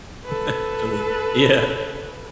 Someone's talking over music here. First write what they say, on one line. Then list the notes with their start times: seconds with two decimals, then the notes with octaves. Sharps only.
actually." Yeah.
0.25 A4 B4